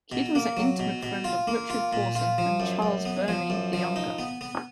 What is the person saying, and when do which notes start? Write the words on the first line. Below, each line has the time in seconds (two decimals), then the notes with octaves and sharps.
Kidd was an intimate friend of Richard Porson and Charles Burney the younger.
0.12 B2
0.35 A#3
0.57 F#3
0.79 B2
1.03 B2
1.24 F4
1.47 A#3
1.70 F4
1.93 A#2
2.15 F4
2.38 F3
2.60 F#2
2.82 F#2
3.05 B3
3.28 F3
3.50 F#2
3.73 F3
3.96 D#4
4.19 B3
4.41 B3